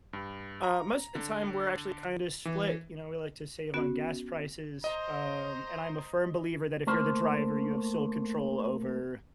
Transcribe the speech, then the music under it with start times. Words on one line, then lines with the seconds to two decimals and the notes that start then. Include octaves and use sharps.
Uh, most of the time, we're actually kinda split, you know, we like to save on gas prices, um, and I'm a firm believer that if you're the driver, you have sole control over
0.13 G2
0.63 A#5
1.15 D3
2.45 E3
3.74 B3 C#4 F#4
4.84 C5 D#5 A#5
6.87 A3 A#3 C5